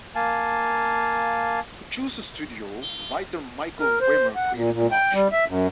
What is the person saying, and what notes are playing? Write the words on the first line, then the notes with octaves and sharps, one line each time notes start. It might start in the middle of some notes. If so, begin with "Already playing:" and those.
To choose a studio, writer Michael Wimer created an auction.
A#3 F5 G#5 A5
A#4
C5
F#5
A#2
A#2
G5
G3
E5
F#2